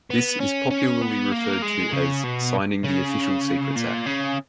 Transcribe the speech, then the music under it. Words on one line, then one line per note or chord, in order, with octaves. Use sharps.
This is popularly referred to as "signing the Official Secrets Act".
B3
C#4
C#4
B3
A#3
G#3
C#3
B2
C#3
A#2
C#3